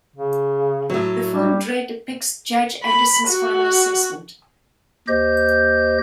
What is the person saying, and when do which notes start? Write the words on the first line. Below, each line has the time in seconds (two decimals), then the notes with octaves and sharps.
The film "Dredd" depicts Judge Anderson's final assessment.
0.16 C#3
0.90 A2 F#3
1.31 G3
2.84 B5
3.29 F#4
5.08 D#2 G4 C5 D#5 G6